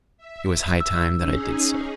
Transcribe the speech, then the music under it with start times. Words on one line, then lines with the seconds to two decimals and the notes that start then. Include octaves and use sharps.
It was high time that I did so.
0.18 E5
0.80 E6
1.18 C#4 D#4 G#4